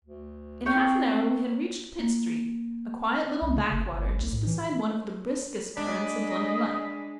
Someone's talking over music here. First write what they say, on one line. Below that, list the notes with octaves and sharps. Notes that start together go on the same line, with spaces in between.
In half an hour we had reached Pitt Street, a quiet little backwater just beside one of the briskest currents of London life.
D2
C4 C#5 G5 F6
A#3
C2
C#3
F#1
G1
B1
A2
E3
G#3 D4 D#5 B5